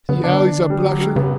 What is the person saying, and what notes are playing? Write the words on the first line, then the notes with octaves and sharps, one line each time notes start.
See how he's a-blushing!
D3 B3
D4
G3
F#3
G3
C#3 B3